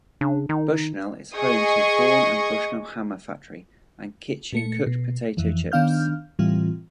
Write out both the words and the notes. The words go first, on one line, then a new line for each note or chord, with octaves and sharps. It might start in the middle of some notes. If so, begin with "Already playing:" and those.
Bushnell is home to Vaughan and Bushnell hammer factory and Kitchen Cooked Potato Chips.
C#3 D4
D#3 D#4
G#4 D#5 C#6 D#6
A#2 A3 C#7
B2
F2 E3 F3
D#3 B3 D4 F5 F6 G6
A2 E3 G3 C4 F4